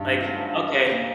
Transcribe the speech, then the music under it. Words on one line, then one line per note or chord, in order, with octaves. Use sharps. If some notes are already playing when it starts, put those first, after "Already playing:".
like, okay.
Already playing: G2 D#3
F#3 A3 C#4 F4
G3 A#3 C#4